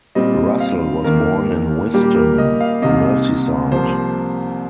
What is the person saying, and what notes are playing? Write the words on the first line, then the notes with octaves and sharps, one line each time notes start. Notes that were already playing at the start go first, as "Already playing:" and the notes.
Russell was born in Whiston, Merseyside.
A#2 G3 C4 D#5
F5
D#2 D#3 A#3 A#4
A#2 G3 A#3 G4
A#4
D#5
F5
C2 C3 D#3 A#3 D#5
C2 C3 F3 A#3 C5